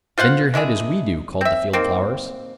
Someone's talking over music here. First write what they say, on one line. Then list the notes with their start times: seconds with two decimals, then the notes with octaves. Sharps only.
"Bend your head, as we do," called the field-flowers.
0.18 F4 C5 F5 F#5
0.54 G#3 D4 E4 G#4
1.41 C4 E5
1.73 D#3 A#3 C4